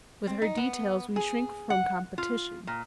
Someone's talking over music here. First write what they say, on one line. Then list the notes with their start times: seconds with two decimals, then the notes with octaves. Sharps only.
With her details we shrink from competition.
0.27 C4
0.42 D#4
0.57 B3
1.16 G#4
1.70 F#5
2.18 F4
2.67 A#2